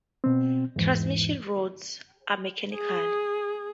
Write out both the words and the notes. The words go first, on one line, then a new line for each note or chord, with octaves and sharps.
Transmission routes are mechanical.
B2 C4
E2 G#2 E3
G#4